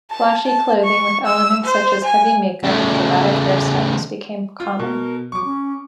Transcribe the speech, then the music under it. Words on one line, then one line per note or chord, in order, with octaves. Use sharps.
Flashy clothing with elements such as heavy makeup and dramatic hairstyles became common.
A5
A5
C#6
E6
C5
G#5
C#3 A3
F4
B2 A#4
F#3 C#6 D6
C#4